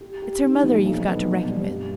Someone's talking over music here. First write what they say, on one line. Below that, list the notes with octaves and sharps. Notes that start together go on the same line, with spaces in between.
It's her mother you've got to reckon with.
G4
G4
D#3
A#1
B1
B3
B2
G3
G2